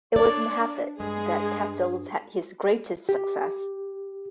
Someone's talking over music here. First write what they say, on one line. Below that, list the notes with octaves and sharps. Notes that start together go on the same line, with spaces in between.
It was in Hartford that Cassels had his greatest success.
D4 C#5 D5
G2 G#3 G#4
G4